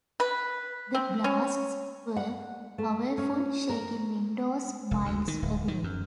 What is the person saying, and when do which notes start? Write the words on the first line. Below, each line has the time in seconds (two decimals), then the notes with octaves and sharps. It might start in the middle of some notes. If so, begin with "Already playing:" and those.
The blasts were powerful, shaking windows miles away.
0.20 B4
0.95 C4
1.24 C#4
2.16 F#5
2.78 A3
3.18 C#4
3.69 A#4
4.91 F1
5.05 D2
5.28 D#3
5.42 D1
5.68 D#3
5.84 F#2